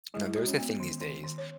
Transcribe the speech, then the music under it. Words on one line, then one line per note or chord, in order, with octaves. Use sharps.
now there's a thing these days
G#3 E4 G#4
E4
G#3 F#4
C#4 C#5
B3
D#3
D#3
D#3
C#5